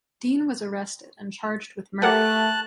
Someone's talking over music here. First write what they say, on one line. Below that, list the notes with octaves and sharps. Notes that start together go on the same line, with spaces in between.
Dean was arrested and charged with murder.
A3 G4 A#4 F#5 A5 F#6